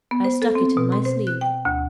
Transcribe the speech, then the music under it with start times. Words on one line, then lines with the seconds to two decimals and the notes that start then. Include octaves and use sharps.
'I stuck it in my sleeve.'
0.11 B3
0.24 C5
0.42 A4
0.55 C4
0.77 B2
0.92 C6
1.05 C5
1.27 F#6
1.41 G5
1.65 D2